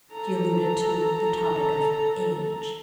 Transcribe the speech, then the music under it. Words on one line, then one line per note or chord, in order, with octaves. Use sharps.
She alluded to the topic of age.
A4 A#5